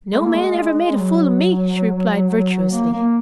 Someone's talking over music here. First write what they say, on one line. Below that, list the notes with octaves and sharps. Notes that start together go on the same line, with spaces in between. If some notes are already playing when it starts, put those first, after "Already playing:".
"No man ever made a fool of me," she replied virtuously.
G#3
A#3
G#3
F#3
A#3
A#3